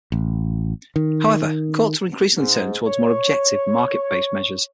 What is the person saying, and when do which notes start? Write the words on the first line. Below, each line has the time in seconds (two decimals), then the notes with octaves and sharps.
However, courts are increasingly turning toward more objective, market-based measures.
0.12 A1
0.96 D#3
2.36 G#2
2.86 C#5